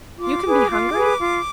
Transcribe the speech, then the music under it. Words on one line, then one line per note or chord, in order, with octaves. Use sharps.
"You can be hungry?"
F4 D6
G#4 B4
F4
G#4 B4
F4